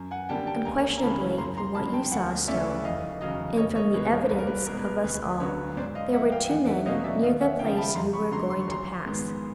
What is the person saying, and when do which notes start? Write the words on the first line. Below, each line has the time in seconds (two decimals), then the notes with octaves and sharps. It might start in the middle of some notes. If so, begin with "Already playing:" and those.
Unquestionably, from what you saw, Stone, and from the evidence of us all, there were two men near the place you were going to pass.
Already playing: F#2
0.11 F#5 G#5
0.29 D3 G3 A#3 G5 A5
0.47 G5 A5
0.65 C#2 G#5 A#5
0.98 A#5
1.02 C#3 E3 G#3 C#4 A5 B5
1.38 F#2 A#5 C6
1.57 A#5 C6
1.75 D3 F#3 A#3 A5 B5
1.93 G5 A5
2.11 D2 F#5 G#5
2.48 C#3 E3 A3 C#4 D5 E5
2.84 F1 D#5 F5
3.21 E2 C#3 F#3 D#5 F5
3.57 F1 C#5 D#5
3.75 C#5 D#5
3.94 E2 B2 G#3 B4 C#5
4.13 A#4 C5
4.30 C2 B4
4.39 A#4
4.47 B4
4.67 B2 G#3 A#4
4.77 B4
4.86 A#4
5.04 D2 B4
5.40 D3 F#3 B4 C#5
5.77 G#2 C5 D5
5.95 D#5 F5
6.13 A#3 E5 F#5
6.18 F3
6.32 F5 G5
6.49 E2 F#5 G#5
6.67 E5 F#5
6.86 B2 F#3 A3 C#4 D#5 F5
7.04 D5 E5
7.22 D#2 D#5 F5
7.40 E5 F#5
7.59 C#3 F3 F5 G5
7.77 A5 B5
7.95 F2 A#5 C6
8.13 B5 C#6
8.32 D3 F#3 A#5 C6
8.50 C6
8.60 C#6
8.68 A#1 A#5 C6
9.05 G#2 D#3 G#3 B3